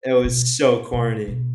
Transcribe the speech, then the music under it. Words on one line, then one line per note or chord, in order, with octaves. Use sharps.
It was so corny.
B2
B2
B2